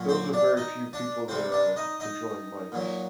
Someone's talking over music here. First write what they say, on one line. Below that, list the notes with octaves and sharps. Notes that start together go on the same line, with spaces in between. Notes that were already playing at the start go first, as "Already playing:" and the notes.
those are very few people that are controlling mics.
Already playing: A#2 F#3
C4 C5
D4 D5
D#4 D#5
D4 D5
C3 G3 C4 C5
D4 D5
D#4 D#5
D#4 D#5
A#2 F#3